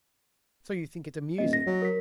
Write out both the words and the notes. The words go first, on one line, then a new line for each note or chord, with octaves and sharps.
"So you think it amusing?"
D#1 D#5
A#6
F#3
A#4 B6